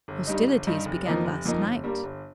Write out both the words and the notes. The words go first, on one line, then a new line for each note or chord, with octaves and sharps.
"Hostilities began last night."
G1
G2 G3 D#4
G1
G2 G3 D#4
F1
F2 F3 A#3 D#4
F1
F2 F3 A#3 D#4
G1
G2 G3 A#3
G1